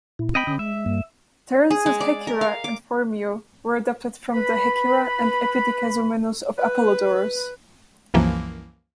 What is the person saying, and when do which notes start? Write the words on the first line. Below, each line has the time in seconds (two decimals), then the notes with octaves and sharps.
Terence's "Hecyra" and "Phormio" were adapted from the "Hekyra" and "Epidikazomenos" of Apollodorus.
0.19 A#2 E4
0.35 C4 D#5 G5 B5
0.47 D3 C#4 D#6
0.59 G#3 E5
0.86 G2 G3 A#3
1.71 G#4
1.86 G#3
2.01 D5
2.27 A#4
2.41 F5
2.64 D6
4.34 B4 B5
6.59 B4
8.14 C2 F#2 E3 F3 A#3